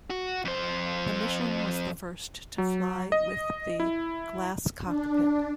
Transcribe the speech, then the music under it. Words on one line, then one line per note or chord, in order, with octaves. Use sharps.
The mission was the first to fly with the "glass cockpit".
F#4
F2 C5
F#3
D#5
E4
D4